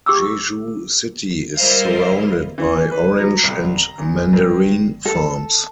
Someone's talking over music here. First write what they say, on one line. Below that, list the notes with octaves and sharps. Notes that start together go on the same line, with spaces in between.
Jeju City is surrounded by orange and mandarin farms.
G4 D6 E6
G3 E4 A#4 C5 D#5 F5
E3
B4
F#3
C2
A#5
E2
G2
A4